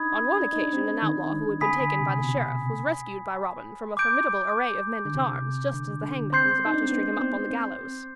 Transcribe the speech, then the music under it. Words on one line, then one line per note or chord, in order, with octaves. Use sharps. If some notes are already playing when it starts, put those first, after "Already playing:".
On one occasion an outlaw who had been taken by the Sheriff was rescued by Robin from a formidable array of men-at-arms just as the hangman was about to string him up on the gallows.
Already playing: D4 D#4 B5 D#6 G#6
D4
D#4
D4
C4
D#3
D3 G#5 B5 D#6 B6
D3
C3
B2
C3
B2
D6 G6 D7
D3
C3
D3
D3
C4 C6 G6 C7
D#4
D4
C4
B3
C4
C4